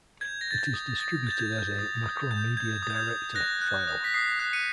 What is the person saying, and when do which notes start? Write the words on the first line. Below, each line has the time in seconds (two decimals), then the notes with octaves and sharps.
It is distributed as a Macromedia Director file.
0.21 G6 G#6
0.41 A#6
0.48 G6 A6
0.61 G#6
0.74 D#6
1.00 D#6 A6
1.27 G6 A6
1.39 G#6
1.52 G6
1.79 D#6
2.04 D#6
2.31 G6
2.57 G6 G#6
2.83 D#6
2.90 G6
2.96 G#6
3.09 D#6
3.35 F#6 A#6
3.61 F#6
3.87 D#6
4.04 B6
4.14 D#6 C7
4.40 F#6
4.53 C#7 D#7